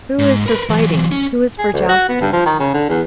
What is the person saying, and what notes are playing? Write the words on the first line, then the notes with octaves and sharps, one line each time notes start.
Who is for fighting, who is for jousting?
G#2
A#4 B4
E3 F#3
C#4
G#4
D2
F#4
B3
G2
F3
D#3
C#3
D3
E2